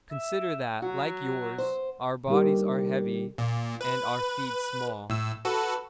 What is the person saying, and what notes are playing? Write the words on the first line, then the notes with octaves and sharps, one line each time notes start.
Consider that, like yours, our bodies are heavy and our feet small.
E5
F#3 F#4
C5
D3 G3 A#3 D#4 G4 A#4
A#2
B4
A2 E6
F#4 A4 B4